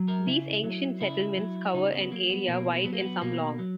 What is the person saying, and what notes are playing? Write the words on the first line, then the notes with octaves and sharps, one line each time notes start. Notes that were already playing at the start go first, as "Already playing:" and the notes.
These ancient settlements cover an area wide and some long.
Already playing: F#3
A#4
C#3 E4
F#3
C#3 E4
F#3
C#3 D#4
B3
F#3 A#3
B3
B2 A#3
F#3 B3
A#3
B3
B2 A#3
F#3